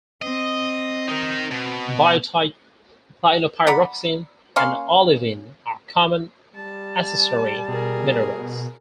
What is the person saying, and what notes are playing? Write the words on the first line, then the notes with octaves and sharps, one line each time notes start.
Biotite, clinopyroxene and olivine are common accessory minerals.
C4 D#5
D#4 A#4
B2
D5 F#5 A#5 B5
A#3 C#4 F5 C6
G3 A5
B2 G#4 A#4